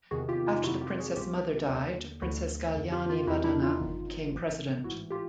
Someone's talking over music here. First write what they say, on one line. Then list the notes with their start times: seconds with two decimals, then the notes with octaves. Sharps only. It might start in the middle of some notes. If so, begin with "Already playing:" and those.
After the Princess Mother died, Princess Galyani Vadhana became President.
0.11 E2 C3 D#3 F#4 G#4
0.29 F4 G4
0.46 D#4 F4
0.64 F2 C3 D#3 E4 F#4
0.81 F4 G4
0.99 F#4 G#4
1.16 C2 B2 F4 G4
1.69 D#2 D3
2.22 D2 D3 E4 F#4
2.74 F2 D3
2.92 F4 G4
3.10 F4 G4
3.27 E2 C3 E3 E4 F#4
3.44 D4 E4
3.62 D#4 F4
3.79 G1 F#2 D#3
4.32 A1 G#2 E3
4.84 A1 G#2 E3 E4 F#4
5.10 F4 G4